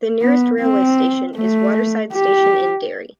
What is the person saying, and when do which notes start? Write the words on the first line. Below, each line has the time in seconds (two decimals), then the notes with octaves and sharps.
The nearest railway station is Waterside Station in Derry.
0.22 B3
0.60 C4
1.36 A3
2.13 G4